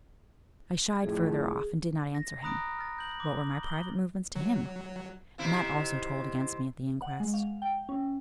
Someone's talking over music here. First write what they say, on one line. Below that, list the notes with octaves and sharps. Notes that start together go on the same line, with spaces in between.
I shied further off, and did not answer him--what were my private movements to him?--and that also told against me at the inquest.
F2 A2 G#4
A#6
A#5 B5 D#6 F#6 A#6 D7
F6 A6
G6 F#7
D6
G7
F#3
C3 D#3 E4
F#5
G#3
F5
G5
C#4